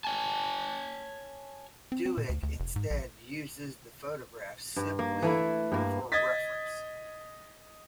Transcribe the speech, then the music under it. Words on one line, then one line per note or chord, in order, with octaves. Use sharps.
Doig instead uses the photographs simply for reference.
C#5 G#5 A5
C4
C4
A#2
D2
D2
F1
G#2
A#1
G2
A#3
E3 A3 E4
G2 A#3
D#5 G#6 A6 B6